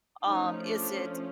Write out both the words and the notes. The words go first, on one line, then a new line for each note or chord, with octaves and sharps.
Um, is it
F3 A3 C#4 D#4
D4